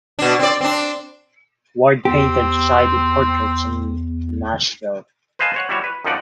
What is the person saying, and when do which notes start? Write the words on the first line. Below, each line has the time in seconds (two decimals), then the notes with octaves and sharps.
Ward painted society portraits in Nashville.
0.19 B2 D4
0.39 C4 D5
0.61 C4 D4
2.05 E2 C4 G4
5.39 B4 C5 D#5 F5 G#5 A5
5.54 C5 C#5 F#5
5.69 G3 E4 F#4 C#5
5.84 B4
6.05 F#2 D#3 F3 D#4 D5 F#5